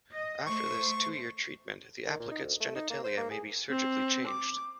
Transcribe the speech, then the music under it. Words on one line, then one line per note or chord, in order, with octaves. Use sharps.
After this two-year treatment, the applicant's genitalia may be surgically changed.
D#5
A3 C5 C#6
D#3
A#2
D#4
D2
A3
D#4
A#3
C5
A#3
G#4
C4
D6